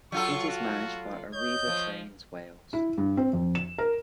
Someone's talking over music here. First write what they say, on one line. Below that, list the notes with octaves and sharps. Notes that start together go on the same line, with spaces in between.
It is managed by Arriva Trains Wales.
F#3 F4 A4 C#6
F#4
C#5 D#5 G6
F3
E4
G2
C4
F2
E7
A#4